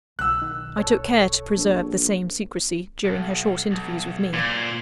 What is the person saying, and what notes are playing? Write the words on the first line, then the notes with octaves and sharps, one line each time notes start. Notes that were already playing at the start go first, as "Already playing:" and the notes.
I took care to preserve the same secrecy, during her short interviews with me.
B1 E6 F#6
D#3
A4 C#5
A#1
B1
B1
A#2 C5